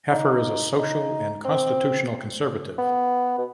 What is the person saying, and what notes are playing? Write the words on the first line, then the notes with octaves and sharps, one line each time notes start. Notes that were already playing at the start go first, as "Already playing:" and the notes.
Heffer is a social and constitutional conservative.
D#4
D#4
C4
B3
B2